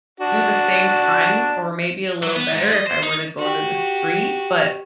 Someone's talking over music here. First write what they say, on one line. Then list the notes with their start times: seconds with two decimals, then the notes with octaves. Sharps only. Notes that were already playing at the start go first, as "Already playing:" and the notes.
do the same times or maybe a little better if I were to go to the street, but
0.20 D4 F#4
2.23 F#3
2.36 B3
2.51 G#2
2.73 D#5
2.87 C5
3.03 D#4
3.38 F#4 G4